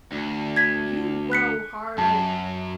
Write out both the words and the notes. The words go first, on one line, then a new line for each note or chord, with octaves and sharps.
"You low harlot!"
D2
G#6 B6
F#6 B6 C#7
F#2 A5